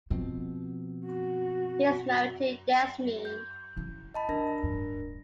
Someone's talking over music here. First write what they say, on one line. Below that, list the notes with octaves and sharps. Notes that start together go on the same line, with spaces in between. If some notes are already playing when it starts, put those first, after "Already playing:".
He is married to Yasmeen.
B2 F3 C4
F#4
G6
C#4 E4
D#5 A5 B5
E3 D4 A#4 A#6
D1 G2